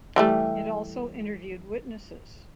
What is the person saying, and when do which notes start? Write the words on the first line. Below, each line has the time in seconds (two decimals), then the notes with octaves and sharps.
It also interviewed witnesses.
0.16 E3 G3 A3